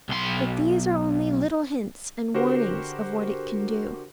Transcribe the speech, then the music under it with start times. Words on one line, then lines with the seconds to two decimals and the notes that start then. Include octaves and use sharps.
But these are only little hints and warnings of what it can do.
0.09 B1 C6
2.34 D3 F#4 G4 A#4 C5